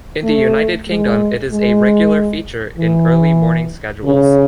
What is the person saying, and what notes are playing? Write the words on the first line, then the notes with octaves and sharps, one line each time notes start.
In the United Kingdom, it is a regular feature in early morning schedules.
A3
G#3
G#3
E3
C#3